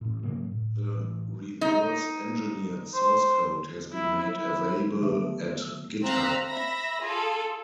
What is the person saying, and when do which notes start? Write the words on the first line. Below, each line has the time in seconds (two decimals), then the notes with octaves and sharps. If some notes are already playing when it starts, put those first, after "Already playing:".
The reverse-engineered source code has been made available at Github.
0.01 A1 A2
0.23 G#2 C#3 F#3 A#3
0.51 A2
0.96 A1
1.61 D#4
2.95 C5
3.91 E4
4.35 E4
5.01 D3 D#3 F#3 A3 B3
6.04 C4 F5 A#5 E6 F#6 B6
6.45 E5 B5 A#6
7.01 F4 G#4 A4